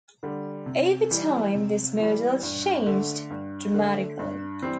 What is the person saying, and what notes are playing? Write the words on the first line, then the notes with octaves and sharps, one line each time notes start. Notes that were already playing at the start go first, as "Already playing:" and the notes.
Over time this model changed dramatically.
D3 G3
C3
E3 G3
C3
E3 G3
G2
D3 A3
G2
D3 A3
G2
E3 G3 C4